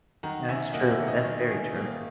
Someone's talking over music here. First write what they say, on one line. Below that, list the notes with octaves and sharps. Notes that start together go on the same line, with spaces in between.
That's true, that's very true.
D#3 F#5 A#5
C#4 E5 G#5
A#3 D#5 F#5
E5
D#3
D#5
D#3
C#4
A#3